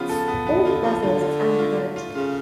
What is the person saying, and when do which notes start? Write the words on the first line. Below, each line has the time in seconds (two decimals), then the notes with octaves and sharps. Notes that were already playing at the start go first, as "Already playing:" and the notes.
Both vessels anchored.
Already playing: C#3 F3 B3 F4
0.09 A4
0.28 B3
0.47 B3
0.65 D3 F4
0.83 F3 A4
1.03 D3 F4
1.21 F4
1.40 A3
1.59 F4
1.77 A3
1.96 F4
2.15 C#3 F4